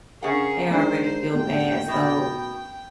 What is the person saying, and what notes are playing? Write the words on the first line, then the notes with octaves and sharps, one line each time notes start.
They already feel bad, so
C#3 G#4 A#4 F#5
G#2 D4 D#4 C5
A1 E2 D#3 G5
B2